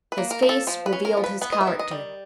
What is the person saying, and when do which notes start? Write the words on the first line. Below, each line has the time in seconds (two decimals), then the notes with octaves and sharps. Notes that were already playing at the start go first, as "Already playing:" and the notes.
His face revealed his character.
0.12 B4
0.18 A#3
0.31 A#4
0.43 F3
0.49 A4
0.67 F3 C5
0.86 B4
0.93 C#4
1.05 A#4
1.17 F3
1.24 B4
1.42 B3 B4
1.52 D#5
1.61 E5
1.67 D#3
1.79 D#5
1.91 G3